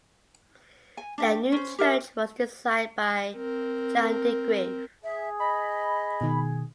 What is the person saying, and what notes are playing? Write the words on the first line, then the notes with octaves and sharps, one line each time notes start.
The new church was designed by Jan de Greef.
G#5
D4 E5 G5
C#4 C5
G4 A#4 E5
C4 A#4
G#4 E5
D#5 B5
B2 D#3